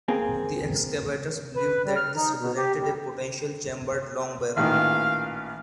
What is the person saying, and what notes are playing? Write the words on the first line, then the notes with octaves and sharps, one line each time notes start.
The excavators believed that this represented a potential chambered long barrow.
A#3 C4 G#4
B4
G3
F6
D#4
B2
G4
G3
A1 A#2 D#3 F5